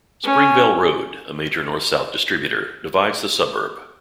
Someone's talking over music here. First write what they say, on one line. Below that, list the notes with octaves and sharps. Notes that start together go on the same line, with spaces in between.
Springvale Road, a major north-south distributor, divides the suburb.
C#4